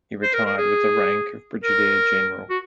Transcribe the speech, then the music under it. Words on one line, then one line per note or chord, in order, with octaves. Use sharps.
He retired with the rank of Brigadier General.
C5
A#4
A#4
G#4
A#4
F#4